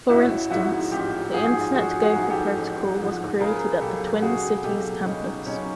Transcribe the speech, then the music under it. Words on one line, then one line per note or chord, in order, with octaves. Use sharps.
For instance, the Internet Gopher protocol was created at the Twin Cities campus.
A1 E4 F#4
G#2 F3 E4 F#4
A1 F4 G4
G#2 F3 F#4 G#4
A1 F#4 G#4
F#4 G#4
G#2 F3
G4 A4
A1
G#2 F3
C#2 G#4 A#4
B2 F#3 G4 A4
C#2 F#4 G#4
B2 F#3 G4 A4
C#2 C#4 D#4
B2 F#3 C#4 D#4